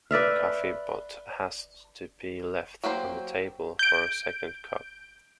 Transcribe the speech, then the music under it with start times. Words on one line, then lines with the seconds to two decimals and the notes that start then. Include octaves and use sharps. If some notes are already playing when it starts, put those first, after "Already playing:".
The coffee pot has to be left on the table, for a second cup.
0.11 B4 D5 E5 F5
2.84 F#3 A#3 G4 C5
3.79 G6 D7